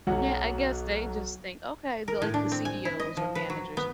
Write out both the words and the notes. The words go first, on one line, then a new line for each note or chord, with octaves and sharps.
Yeah, I guess they just think, okay, the like, the CEOs or managers,
B1 F#3 F#4 F#5
A#4
A2
D4
C4
G#5
E4
D#5
F3
B4
F#3
B3